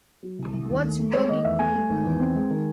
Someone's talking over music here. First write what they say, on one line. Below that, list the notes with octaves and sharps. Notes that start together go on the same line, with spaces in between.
What’s bugging you?
F#3
C2
C2
D#2
A3
A3
G#3 C#5
D#3 D#5
E2 E5
A3 G#5
A3
G#1
E2
C4
G#3
D#3